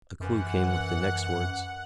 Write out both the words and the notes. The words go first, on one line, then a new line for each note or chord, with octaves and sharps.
A clue came with the next words.
F#2 E3 F#5